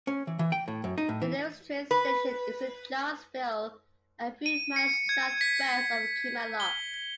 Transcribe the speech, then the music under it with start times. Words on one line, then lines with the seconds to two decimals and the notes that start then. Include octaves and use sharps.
The nearest train station is in Charleville, a few miles south west of Kilmallock.
0.07 C#4
0.27 E3
0.39 E3
0.52 G5
0.68 A2
0.84 F#2
0.98 D#4
1.09 A2
1.22 E3
1.91 B4
4.46 D#7
4.76 C#7
5.09 G#6
5.41 B6
6.60 G7